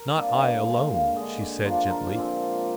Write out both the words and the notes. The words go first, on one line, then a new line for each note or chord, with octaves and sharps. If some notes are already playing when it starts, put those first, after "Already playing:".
"Not I alone," she said gently.
Already playing: A#4
C3 G3 A#3 D4 D5
D#5
D3 G#3 D4 F5
F5
D3 G#3 D4 D#5
D5
F3 A#3 D4 C5
A#4
A#2 G#3 C4 D5